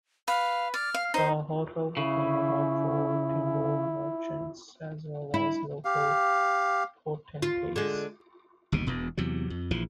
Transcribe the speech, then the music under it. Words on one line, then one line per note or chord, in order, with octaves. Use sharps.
The hotel became a hub for timber-merchants as well as local potentates.
B4 F5
D5 F6
F5
D#4 C5
C#3 E4
E4
G4 F5
F4
D3 G#3
G1 D#2 B2
E1 E2 B2
E2 C3 F#3
F2
A#1 E3 F3